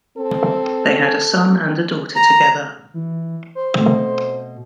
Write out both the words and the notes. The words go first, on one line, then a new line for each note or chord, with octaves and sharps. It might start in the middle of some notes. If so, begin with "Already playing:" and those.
They had a son and a daughter together.
C4 A4
A#5
E3
C5
B2 A3 C4